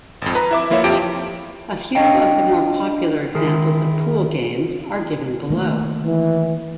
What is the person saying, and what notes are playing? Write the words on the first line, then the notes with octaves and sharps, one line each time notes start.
A few of the more popular examples of pool games are given below.
G#1 F2
B4 A#5
E4 E5 D6
F3 A#3 E4 F4 C#5 E5
F2 F3 G4 D6 D7
D4 C#5 D#5 F5 G5
D#3 E4 G#4 A#4
D#3 A3 A#3
E3